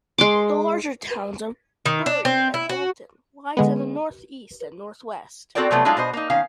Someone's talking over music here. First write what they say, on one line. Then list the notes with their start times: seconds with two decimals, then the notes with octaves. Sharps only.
The larger towns of Bury and Bolton lie to the northeast and northwest.
0.18 G#3 C6 D6
1.86 D#3
2.06 D4
2.25 C4
2.54 E4
2.69 F#4
3.57 D3 G#3 B3
5.55 C4 F#4 A4 A#4 D5 G5
5.71 C3 F3 F#3 A3 B3
5.85 F#3 G#3 A3 D4 D#4 F4
5.97 B2 F#4 C5 D#5
6.13 A#3 D#4
6.30 D#3 C#4 F5